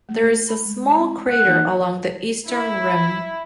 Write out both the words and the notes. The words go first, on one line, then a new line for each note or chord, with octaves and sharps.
There is a small crater along the eastern rim.
A3
A4 B5
G#3
C4
F#5
E3 A#3 D#4
E4